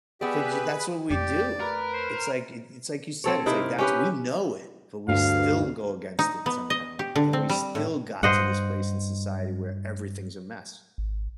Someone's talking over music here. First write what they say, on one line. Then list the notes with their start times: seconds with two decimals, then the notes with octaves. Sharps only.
F j that's what we do. It's like i it's like you said, it's, like that's we know it, but we still go against it somehow and we still got to this place in society where everything's a mess,
0.21 B3 G4 G#4 B4 D5 E5
1.10 F2 A3 G4 D5
1.60 A#4 B4
1.93 C5
3.24 C4 A4 C#5
3.46 C3 D#4 E4 A#4
3.78 C#4 G4 B4
5.08 D2 G2 F5
6.19 D#4
6.46 B3
6.70 D#5
6.99 G4
7.16 D3
7.33 C4
7.49 G3
7.75 A2
8.23 G2 C5 D#5 F#5
10.98 G#1